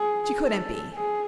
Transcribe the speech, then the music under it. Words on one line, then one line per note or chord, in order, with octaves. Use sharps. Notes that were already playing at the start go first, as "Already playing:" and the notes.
She couldn't be.
Already playing: G#4
A4
G#4